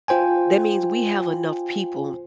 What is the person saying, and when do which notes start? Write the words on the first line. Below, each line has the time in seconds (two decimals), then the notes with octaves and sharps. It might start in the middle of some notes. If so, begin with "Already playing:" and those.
that means we have enough people
0.08 F4 C5 G5 G#5